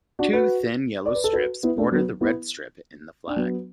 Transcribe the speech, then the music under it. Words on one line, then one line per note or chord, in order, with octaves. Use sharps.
Two thin yellow strips border the red strip in the flag.
D4 F#4
F#4 B4
D5
B4
A4
F#4 B4
B3 E4
A3 D4
F#3 B3
B3 E4
D4
F#3 B3